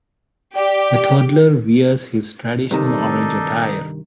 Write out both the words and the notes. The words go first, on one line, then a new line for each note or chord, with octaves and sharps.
The toddler wears his traditional orange attire.
G4 D5
G2 C3 D#3 D4 D#4 A4